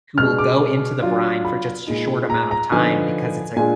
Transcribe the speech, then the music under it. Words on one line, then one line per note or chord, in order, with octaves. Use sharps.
who will go into the brine for just sh short amount of time because it's a
B2 G#3 D4 F6
D6
F#3 D4 F4
B5
A#2 G#3 D#4
A#5
A#5
D3 F3 B3 D#4 G#5
A#2 G#3 D4 F4 G#5